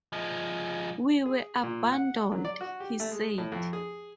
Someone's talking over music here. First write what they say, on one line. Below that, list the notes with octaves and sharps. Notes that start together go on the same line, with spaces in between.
"We were abandoned," he said.
F3 G#3
G#4
A#2
F#5
F#3
D5
F#4
G4
A3
G#3
A2
F2
G#4